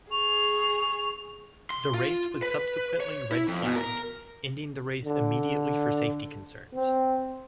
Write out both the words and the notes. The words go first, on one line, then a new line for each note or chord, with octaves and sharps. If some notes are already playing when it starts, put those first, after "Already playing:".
The race was subsequently red flagged, ending the race immediately for safety concerns.
G#4 C#6 F7
C6
F4
B4
C#5
E4
F2
B2
A#4
D3
C4